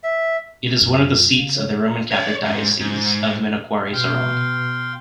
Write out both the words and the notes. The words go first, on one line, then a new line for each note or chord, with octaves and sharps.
It is one of the seats of the Roman Catholic Diocese of Manokwari-Sorong.
E5
F#2 F4
C#3 F5
C#5
C#5 D5
G#2
G#2
B2 F5 G5 C6